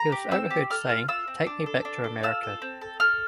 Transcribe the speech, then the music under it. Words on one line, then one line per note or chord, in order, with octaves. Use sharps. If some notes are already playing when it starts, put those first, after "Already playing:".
He was overheard saying, Take me back to America.
Already playing: A#5
G4
C4 E6
G4
A4 F6
F4
F4 E6
C4
D4
A4
D4
A4
F4 E6
A4
C4
A4
A4 F6